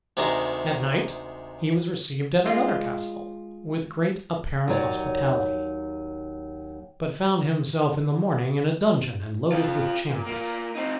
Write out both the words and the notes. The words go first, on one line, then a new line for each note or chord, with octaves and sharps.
At night he was received at another castle, with great apparent hospitality, but found himself in the morning in a dungeon, and loaded with chains.
D2 C3 D#3 G#3 A#5
G#3 F4
D#2 F#3 D#4 C#5 D5
F4 A4
A#2
A#3 F4
C4 D#4